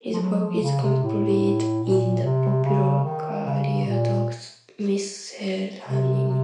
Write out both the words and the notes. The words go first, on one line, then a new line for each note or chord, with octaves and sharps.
His work is compiled in the popular "Cariadoc's Miscellany".
F3
F#3
F3
C#3
C3
A2
A#2
C3
C#3
D#3
C#3
A#2
C3
C3